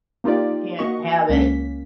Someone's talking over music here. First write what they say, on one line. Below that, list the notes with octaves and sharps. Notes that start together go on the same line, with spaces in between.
You can't have it
A#3 D#4 F4 G4 D5
A#3 F#4 D#5 C#6
C#2 A#3 C#4 B6